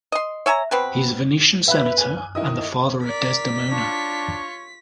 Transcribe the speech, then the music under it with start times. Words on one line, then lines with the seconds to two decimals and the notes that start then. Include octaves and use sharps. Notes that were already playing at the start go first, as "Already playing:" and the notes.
He is a Venetian senator and the father of Desdemona.
0.12 D#5 C6
0.46 C#5 E5 G#5 A#5
0.71 B2 C4 B4
1.68 B4 E5 B5 F#6
1.98 G#5
2.35 D#3 E4 D#5 D#6
3.03 A#4 D5 B6
3.71 D4 F4 C#5 C#6